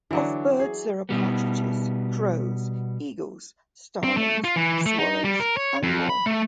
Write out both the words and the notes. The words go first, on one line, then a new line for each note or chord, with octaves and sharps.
Of birds there are: partridges, crows, eagles, starlings, swallows and more.
D3 E3 F#3 D4
G#4
B2 G3 B3
C4
A3
F4
E3
A3
D#4
G3
A#4
C#5
F2
B5
A3